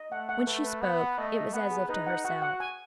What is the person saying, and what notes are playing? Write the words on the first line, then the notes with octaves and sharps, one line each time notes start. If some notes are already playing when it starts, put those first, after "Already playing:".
When she spoke, it was as if to herself.
Already playing: D#5
A3 F#5
F#5
A3 B4
B4
B3 F#5
F#5
A3 D#5
D#5
B3 F#5
G#4
D#4 B4
F#5
F#4 F#5
F#5
G#5